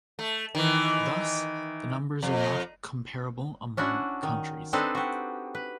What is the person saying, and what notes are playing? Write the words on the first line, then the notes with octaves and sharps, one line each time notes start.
Thus, the numbers are not comparable among countries.
A3
D#3 E3
F2
C#4 D4 E4 F#4
D#3
C4 D4 D#4 A4 B4 C5
F#4 G4
B4